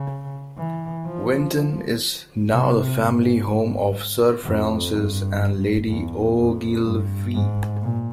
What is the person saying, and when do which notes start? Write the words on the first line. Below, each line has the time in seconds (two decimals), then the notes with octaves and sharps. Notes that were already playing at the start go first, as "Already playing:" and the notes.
Winton is now the family home of Sir Francis and Lady Ogilvy.
Already playing: C#3
0.57 E3
1.06 F3
2.51 C3
2.99 G#2
4.44 F2
4.92 G2
5.89 E2
6.37 F2
6.85 G2
7.34 G#2
7.81 A#2